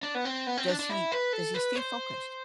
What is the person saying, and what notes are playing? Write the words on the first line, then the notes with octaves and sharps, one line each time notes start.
does he does he stay focused?
D4
B3
C4
B3
C4
D4
D4
E4
B4
A4
B4
C5